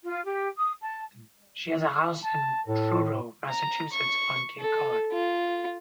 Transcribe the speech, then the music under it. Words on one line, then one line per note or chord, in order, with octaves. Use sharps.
She has a house in Truro, Massachusetts on Cape Cod.
F4
G4
D#6
A5
A5
A2 A4
A#5
C#6
A4
F4